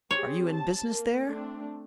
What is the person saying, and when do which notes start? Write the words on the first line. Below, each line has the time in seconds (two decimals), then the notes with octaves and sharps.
"Are you in business there?"
0.11 C4 G4 G#4 C#5
0.52 A5
0.86 A#3
1.26 A3 C4 D4